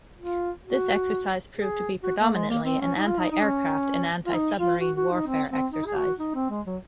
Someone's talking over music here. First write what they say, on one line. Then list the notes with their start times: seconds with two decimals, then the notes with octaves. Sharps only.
This exercise proved to be predominately an anti-aircraft and anti-submarine warfare exercise.
0.18 F4
0.65 F#4
1.57 G#4
2.03 F#4
2.19 A#3
2.34 G#3
2.49 A#3
2.65 C4
2.81 C#4
2.96 D#4
3.07 F4
3.19 D#4
3.31 D#4
3.42 C#4
4.26 F4
4.34 D#4
4.58 F4
4.81 F#4
4.96 F#4
5.12 D#4
5.27 C4
5.50 C4
5.73 D#4
5.86 G#4
5.96 F#4
6.20 D#4
6.35 C4
6.50 G#3
6.66 F#3